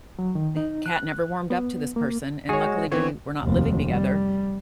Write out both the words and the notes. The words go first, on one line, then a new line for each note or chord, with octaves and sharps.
the cat never warmed up to this person, and luckily, we were not living together,
F#3
D#3
D#4
F#6
B3
A#3
G#3 F#4 G#4 C#5
E3 B3 C4 C#5
F1 D#2
G3